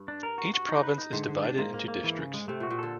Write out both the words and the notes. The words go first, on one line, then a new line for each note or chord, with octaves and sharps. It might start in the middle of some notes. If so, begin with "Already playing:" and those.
Each province is divided into districts.
Already playing: G2
D4
A#4
F#4
F#4
D#4
B4
D#4
G#2 D3
D3
D4
G#2 A#3
A#3
A#3
E3
C#3
G#3
C3 A3
A#2 F#4
A#2
D3 A4